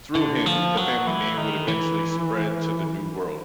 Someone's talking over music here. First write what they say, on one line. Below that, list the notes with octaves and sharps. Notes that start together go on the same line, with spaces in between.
Through him the family name would eventually spread to the new world.
D3
F3
F#3
E3
D#3
E3